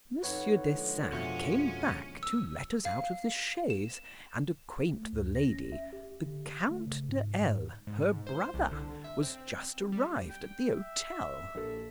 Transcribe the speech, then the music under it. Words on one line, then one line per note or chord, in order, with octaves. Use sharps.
Monsieur Dessein came back to let us out of the chaise, and acquaint the lady, the count de L-, her brother, was just arrived at the hotel.
F2 D#4 B4 C#5 F#5
D3 F3 G#3
F2 B2 C#4 F4 F#4 E5
E6
F5
E7
A3
D2
A#6
C#4
E5
G4
D3
A3
C#3
G#2
G#2
G#2
C5
C2
D3
E5
C4
G3
G5
E5
A#1 A4